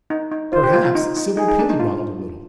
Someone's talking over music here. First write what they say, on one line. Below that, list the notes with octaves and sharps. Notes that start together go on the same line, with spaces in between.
Perhaps Sybil pitied Ronald a little.
D#4
D#4
F4 C5
G4
F4
F4
D#4
D#4
D#4 G#4
D#4
D4
D#4
F4